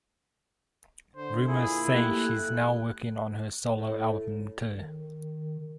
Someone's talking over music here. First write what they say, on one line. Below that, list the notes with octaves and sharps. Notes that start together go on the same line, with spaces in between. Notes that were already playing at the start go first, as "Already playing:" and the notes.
Rumours say she's now working on her solo album too.
D3 C5
A#2 E4 G#4
A3 A#3 G4 F#6
A2
D#3